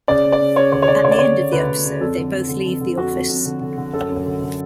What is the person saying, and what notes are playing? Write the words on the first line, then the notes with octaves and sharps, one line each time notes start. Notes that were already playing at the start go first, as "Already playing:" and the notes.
At the end of the episode, they both leave the office.
C#3 D5
C#3
D5
C#3
C#3 C#5
D2 C#5
C#5
C#3 D5
D2 C#5
D5
D2 C#5
C#3
D2 B4
D2
C#3
F2 A4
D3
F2
D3
F2
D3
F2 F#4
F2
F2
D3
D3
D3
F#2 A4
F#2
D3
D3